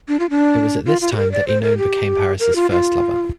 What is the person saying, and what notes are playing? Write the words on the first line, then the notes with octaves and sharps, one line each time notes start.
It was at this time that Oenone became Paris's first lover.
D4
F4
D4
F4
F4
G4
A#4
D5
C5
A#4
G4
A#4
F4
F4